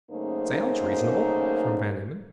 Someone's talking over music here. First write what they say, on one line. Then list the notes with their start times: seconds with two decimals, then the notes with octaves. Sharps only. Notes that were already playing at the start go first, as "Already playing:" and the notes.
"Sounds reasonable," from Van Emmon.
0.11 F#2 C#3 A3 A#3 D#4 C5